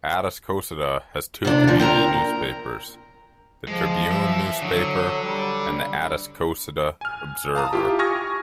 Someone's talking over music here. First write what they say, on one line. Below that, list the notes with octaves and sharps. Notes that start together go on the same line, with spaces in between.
Atascocita has two community newspapers, "The Tribune Newspaper" and "The Atascocita Observer".
C3 D4
A#2 F3
C4 A#4 A#5
F3 G#3
E3 E5
D3 F#3
G3
G#5 F6
F5 A5 A#5 D#6
E4 F4 G4
G#5 C#6 D#6 F6 G#6 A#6